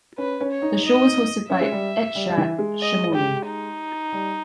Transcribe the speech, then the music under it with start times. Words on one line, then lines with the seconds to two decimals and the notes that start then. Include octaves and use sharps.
The show was hosted by Itzhak Shimoni.
0.18 C#4 B4
0.41 C#4
0.51 C#5
0.62 D#4
0.84 D#5
1.49 C#4 E5
1.61 G#3
1.72 G3
2.15 G3
2.29 G3
2.38 E3
2.58 G#3
2.81 D#5
3.14 G4
3.47 D#4
4.12 G3